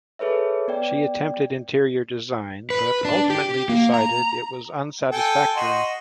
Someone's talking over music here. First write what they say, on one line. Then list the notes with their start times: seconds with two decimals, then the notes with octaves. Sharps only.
She attempted interior design but ultimately decided it was unsatisfactory.
0.19 G#4 A4 B4 C#5 E5
0.68 B3 D5 G5
2.70 B4
3.05 D4
3.30 G4
3.69 A#3
3.94 A#5
5.12 A4 G5 G#5
5.56 F#4 D#5 C6